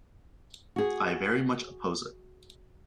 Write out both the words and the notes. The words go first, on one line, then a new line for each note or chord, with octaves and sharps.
I very much oppose it.
F#4 G#4